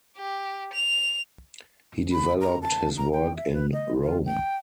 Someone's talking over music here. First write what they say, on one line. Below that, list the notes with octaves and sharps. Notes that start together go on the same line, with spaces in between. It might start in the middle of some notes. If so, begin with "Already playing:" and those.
He developed his work in Rome.
G4
F7
B5
A#5
A5
A#5
G5
E5
B4
D#5
F4
G5